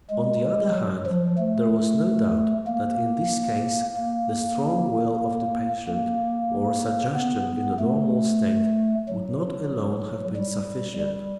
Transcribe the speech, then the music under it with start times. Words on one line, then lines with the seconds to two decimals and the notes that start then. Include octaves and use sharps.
On the other hand, there was no doubt that in this case the strong will of the patient or suggestion in a normal state would not alone have been sufficient.
0.10 G#3
0.74 F#3
1.06 F3
1.38 A3
2.67 A#3
3.95 A#3
5.87 A#3
7.15 B3
7.79 A3
9.08 F#3
10.36 G3
11.00 G3